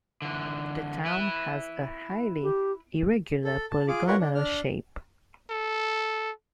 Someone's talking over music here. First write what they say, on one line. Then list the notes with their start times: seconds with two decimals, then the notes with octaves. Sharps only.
The town has a highly irregular polygonal shape.
0.22 D3 E3
1.05 E4 B4
2.43 G4
3.44 A4
3.71 A5
3.88 F4 G#4 D6
4.07 F4 A#4 B4 C#5 F#5
4.19 D4
4.35 D4 F6
5.50 A4